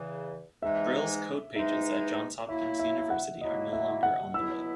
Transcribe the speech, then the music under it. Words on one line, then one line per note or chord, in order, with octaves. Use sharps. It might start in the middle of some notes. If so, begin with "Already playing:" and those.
Brill's code pages at Johns Hopkins University are no longer on the web.
Already playing: E2 C#3 E3
G#2 E3 G#3 D#4 E5
G#2 E3 G#3 D#4 E5
F#3 A#3 E4 E5
E5
E5
F#5
F#3 A#3 E4 D#5
E5
F#5
C#2 B2 F#3 B3 E4 E6